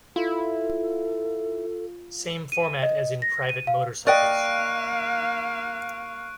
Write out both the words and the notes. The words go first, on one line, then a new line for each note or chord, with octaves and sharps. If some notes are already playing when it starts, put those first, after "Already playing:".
Same format as in private motorcycles.
E4 F4 A4
D#7
D#5
A#6
D#7
F5
A#3 D5 D#5 F5 G5 C#6 F#6 D7